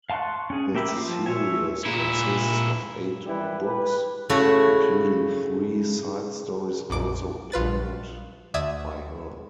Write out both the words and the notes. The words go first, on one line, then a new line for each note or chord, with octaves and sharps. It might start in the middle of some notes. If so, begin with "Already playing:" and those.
The series consists of eight books, including three side stories also penned by her.
F5 A5 C6 C#6 F#6
C#4 G#4
A#3 G4 E5 B5 D6
F3 F4
C#5 E5 G#5
A#2 E4
G#1 E3 G3 E4 B4
G4 B4
C#3 A3 E4 F#4 C#5
A#1 F2 D6 D7
A#1 F4 B4 A6
D2 D5 E5 D#6 G#6